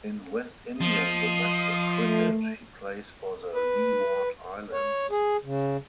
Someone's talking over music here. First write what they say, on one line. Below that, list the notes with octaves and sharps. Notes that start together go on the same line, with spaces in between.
In West Indian domestic cricket he plays for the Leeward Islands.
F3 D#5 C6 D#6
A3
B4
C#5
G#4
C#3